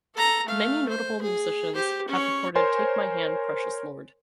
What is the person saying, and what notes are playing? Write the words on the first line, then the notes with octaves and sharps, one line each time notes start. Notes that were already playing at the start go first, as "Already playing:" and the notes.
Many notable musicians have recorded "Take My Hand, Precious Lord".
A4 A#5
A3 F5
C5
G#4
G4 C5
C#4 C#5
A#4 C5 C#5 G#5 C6